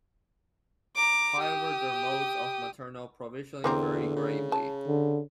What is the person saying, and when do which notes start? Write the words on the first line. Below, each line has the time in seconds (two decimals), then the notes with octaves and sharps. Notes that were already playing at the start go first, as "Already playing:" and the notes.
However, their modes of maternal provisioning vary greatly.
0.96 A#5 D6
1.39 G4 D#6
3.64 E2 D3 A#3 C4 A#4
4.16 C#3
4.52 A5
4.87 D3